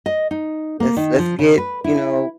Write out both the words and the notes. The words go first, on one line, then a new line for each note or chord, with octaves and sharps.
let's let's get, you know,
D#5
D#4
A#3
D#3
F3
C#3
B4
E4